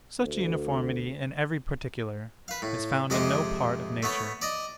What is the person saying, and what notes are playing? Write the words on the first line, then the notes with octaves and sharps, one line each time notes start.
Such a uniformity in every particular, is found in no part of nature.
D2
B4 F5
A2
F2 C3 G#3 D#5 F5 D6
A3 B3 C#5
D5 D#5